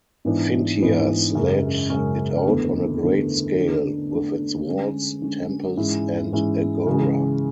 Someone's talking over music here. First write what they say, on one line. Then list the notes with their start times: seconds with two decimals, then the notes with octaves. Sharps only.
Phintias laid it out on a great scale, with its walls, temples, and agora.
0.25 G#2 E3 B3 D4
0.80 G#2 E3 B3 D4
1.35 F#2 C#3 G#3 C#4
1.90 F#2 C#3 G#3 C#4
2.45 E2 D3 A3
3.01 E2 D3 A3
3.55 D3 A3 D4
4.11 D3 A3 D4
4.66 D3 G#3 C#4
5.21 D3 G#3 C#4
5.76 G#2 E3 G#3 C#4 E4
6.32 G#2 E3 G#3 C#4 E4
6.87 C#3 E3 G#3